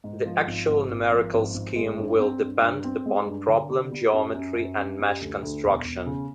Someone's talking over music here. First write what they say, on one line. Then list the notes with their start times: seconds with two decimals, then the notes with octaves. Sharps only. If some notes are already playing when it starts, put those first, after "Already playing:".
The actual numerical scheme will depend upon problem geometry and mesh construction.
0.04 G#2
0.26 F3
0.47 G#1
0.68 G#1
0.90 G#1
1.12 F3
1.33 G#1
1.54 G#1
1.76 G#3
1.98 G2
2.19 C4
2.40 G2
2.62 G2
2.84 C4
3.06 G#3
3.26 G2
3.48 D3
3.70 G3
3.92 G3
4.13 F#2
4.34 F#2
4.56 F#2
4.78 F#2
4.99 G3
5.21 D2
5.42 D2
5.64 E1
5.84 E1
6.06 C#3